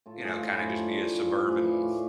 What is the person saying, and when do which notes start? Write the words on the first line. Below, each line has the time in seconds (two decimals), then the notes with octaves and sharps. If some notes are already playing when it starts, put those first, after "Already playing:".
you know, kinda just be a suburban
0.06 A2 F4 A4
0.24 F3 E4 G#4
0.33 F4
0.41 A2 E4 G#4
0.59 A2 D4 F4
0.77 A2 F4 A4
0.95 F3
1.12 F3
1.30 A2
1.47 F3 G#4 B4
1.65 F3
1.71 D5 F5
1.82 A2